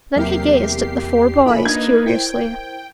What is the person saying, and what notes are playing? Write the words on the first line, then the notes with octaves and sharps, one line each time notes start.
Then he gazed at the four boys curiously.
E2 C3 F#3 A#3 G4 E5 F6 C7
A#1 A4 E5 B5 D6
A#3 D4 D#4 B4 G#6
E4 A#4 C5 G5